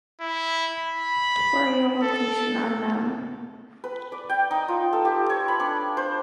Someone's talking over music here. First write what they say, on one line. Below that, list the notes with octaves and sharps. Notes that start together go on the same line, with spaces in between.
Burial location unknown.
E4
B5
A4
B4
D5
G5
D#4
F4
A4
G4
C#5
B5
D4
C5